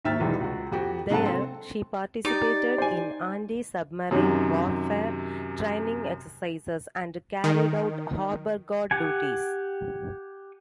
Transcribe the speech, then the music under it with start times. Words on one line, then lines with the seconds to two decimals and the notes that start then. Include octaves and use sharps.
There, she participated in antisubmarine warfare training exercises and carried out harbor guard duties.
0.05 G#1 D#2 E5 G5 F6 A6
0.20 B1 E2 E3 G3 G#3
0.40 C#2 F#4
0.72 F2 F#4 G4
1.10 G#2 C3 F#3 G#3 F#5 A5
1.25 C4 A4
2.25 D#4 G4 D5 D6
2.78 C5 G#5
4.11 F#2 C3 D#3 F#3
7.44 D#3
8.91 G4 F#5 G#5